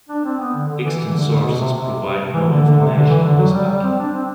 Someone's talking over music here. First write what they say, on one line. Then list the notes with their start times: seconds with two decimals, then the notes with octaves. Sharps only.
Extant sources provide no information on this Bakis.
0.09 D4
0.24 C4
0.39 B3
0.54 D3
0.69 D3
0.84 E3
0.99 E3
1.13 D3
1.30 D3
1.43 B2
1.59 C3
1.73 C3
2.34 E3
2.49 D3
2.64 D3
2.79 C3
2.93 D3
3.09 E3
3.24 D3
3.38 F#3
3.54 G3
3.69 G3
3.83 C4
3.98 D4
4.13 C4